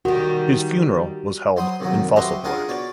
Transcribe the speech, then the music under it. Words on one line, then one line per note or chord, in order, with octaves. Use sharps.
His funeral was held in Faisalabad.
D#3 G3 F#4
F#3 C5 B5 D#6
C2 G2 D#3 F#3
F#4 G4 B4 C5 D#5 E5
D4 F4 G#4 A#4 F#5
B2 C#5 D5